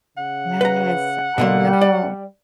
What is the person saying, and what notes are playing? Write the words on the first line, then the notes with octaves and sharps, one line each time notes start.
Yes, I know.
C#3 F#5
B4 A#5
B2 D3 A#3 C6
G3 D5